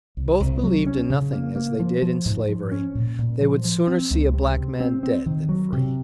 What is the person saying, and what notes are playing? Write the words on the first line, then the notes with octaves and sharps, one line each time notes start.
Both believed in nothing as they did in Slavery; they would sooner see a black man dead than free.
C2
C2
F#3
C#4
C#3
A#3
A#3
F3
F3
G#2
F3
C#4
A#2
A#2
F3
F3
C4
C#2
C3
C3
C4
C4
D#3
F#3
C3